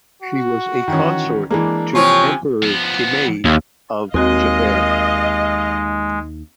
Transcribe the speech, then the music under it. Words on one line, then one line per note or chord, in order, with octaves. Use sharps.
She was a consort to Emperor Kinmei of Japan.
F#4
D#3 E3 C#4
E3 G#3 A#3 D4
C3 F3 F4 C#5 G#5
F3 B3
D#2
D#2 G#3 C4 F#4 D#5 F5